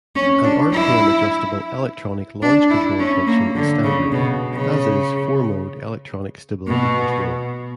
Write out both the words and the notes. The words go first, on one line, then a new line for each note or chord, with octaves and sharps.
An rpm-adjustable electronic launch-control function is standard, as is four-mode electronic stability control.
C#4
D4
E4
D4
E4
C#4
A#3
D3
C#3
B2
C#3
B2